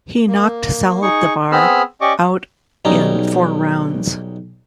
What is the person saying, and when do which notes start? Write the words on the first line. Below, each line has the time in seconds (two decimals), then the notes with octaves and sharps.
He knocked Saldivar out in four rounds.
0.28 A#3
1.02 D#4 G#4 C#6
1.52 B3 C4 G#4 B5 E6 F6
2.01 C#4 G4 D5 D#5 C#6 D6
2.85 B1 G3 C#4 D#4 A#5